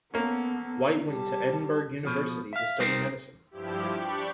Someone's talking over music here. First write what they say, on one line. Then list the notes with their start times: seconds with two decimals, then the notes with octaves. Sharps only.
White went to Edinburgh University to study medicine.
0.14 A#3 B3 C#4 A4
1.08 G3 A5
2.04 B2 F3
2.53 E5 F5
2.80 G3 D#4 A#4 C5
3.51 G2 F3 E4 G4
3.94 D4 G4 B5 C#6